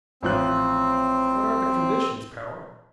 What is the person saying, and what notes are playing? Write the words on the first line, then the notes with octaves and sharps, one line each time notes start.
"What are the conditions, Powart?"
A1 F3 C4 F#6